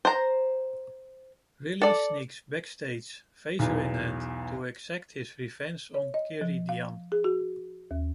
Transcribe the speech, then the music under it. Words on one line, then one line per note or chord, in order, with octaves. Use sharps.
Riley sneaks backstage, phaser in hand, to exact his revenge on Karidian.
C5 A#5
A4 D5
B1 E2
C#5
D#5
F3
F5
G#4
F#4
D#2